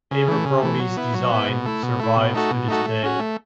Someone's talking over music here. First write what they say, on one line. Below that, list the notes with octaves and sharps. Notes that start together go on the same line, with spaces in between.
Abercrombies design survives to this day.
C#3
E3 A3
C#3
E3 A3
F#3
B3 E4
F#3
B3 E4
B2
A3 E4
B2
A3 E4
B2
A3 D#4 F#4 A4
B2
A3 D#4 F#4 A4
A3
C#4 F#4
A3